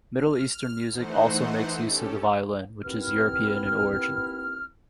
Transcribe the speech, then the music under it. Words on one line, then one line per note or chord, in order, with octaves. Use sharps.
Middle Eastern music also makes use of the violin, which is European in origin.
F6
E3 A3 D#4 C5 F#5
C#4 G4 A4
D#2 B3 C4 E4 F6